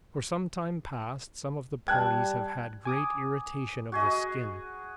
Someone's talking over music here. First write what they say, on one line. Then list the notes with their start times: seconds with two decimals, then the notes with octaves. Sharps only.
For some time past some of the ponies have had great irritation of the skin.
1.88 G3 G5 A5 F#6 G#6
2.85 G#5 D6 D#6
3.92 F#4 G#4 D#5